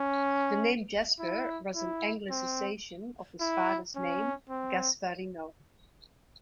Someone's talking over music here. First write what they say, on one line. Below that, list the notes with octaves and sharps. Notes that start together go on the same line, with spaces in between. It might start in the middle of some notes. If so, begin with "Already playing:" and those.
The name Jasper was an anglicisation of his father's name, Gasparino.
Already playing: C#4
E4
E4
C4
E4
C#4
C4